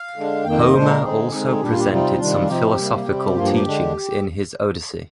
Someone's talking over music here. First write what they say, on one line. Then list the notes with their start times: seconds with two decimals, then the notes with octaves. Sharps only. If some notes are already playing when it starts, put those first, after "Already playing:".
Homer also presented some philosophical teachings in his "Odyssey".
Already playing: F5
0.15 D3 G#3 D4
0.45 F2 D#3 A#3 G5
0.59 D#5
0.74 A#2 G#3 D4 C5
0.88 A#4
1.03 D3 G#3 C4 D#4 G#4
1.32 D3 G#3 C4 D#4
1.61 A#2 G3 D4 G4
1.70 F4
1.80 G4
1.89 C3 G3 C4 D#4 F4
2.19 C3 D#3 G3 D4
2.47 C3 F3 C4 D#4 G4
2.77 C3 G3 A#3
3.06 C3 G3 C4
3.35 G2 F3 A#3 F4
3.44 G4
3.54 G4
3.65 D3 G#3 D4